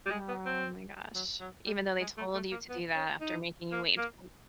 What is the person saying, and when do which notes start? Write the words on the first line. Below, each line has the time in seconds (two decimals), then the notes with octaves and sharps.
Oh my gosh. Even though they told you to do that after making you wait until
0.06 G3
0.11 G#3
0.28 B3
0.46 C4
1.14 F#3
1.40 F#3
1.66 G3
2.00 G#3
2.17 A3
2.34 A3
2.52 A#3
2.69 B3
2.95 C#4
3.20 D#4
3.72 A#3
3.98 A#3